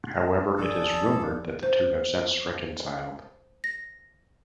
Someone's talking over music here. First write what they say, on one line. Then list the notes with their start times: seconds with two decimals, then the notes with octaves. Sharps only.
However it is rumored that the two have since reconciled.
0.58 F1 G#4 A4 D5 A5
1.63 C5
3.64 A#6